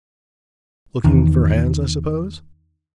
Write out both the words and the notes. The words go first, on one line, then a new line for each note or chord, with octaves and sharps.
'Looking for hands, I suppose?'
E2 D#3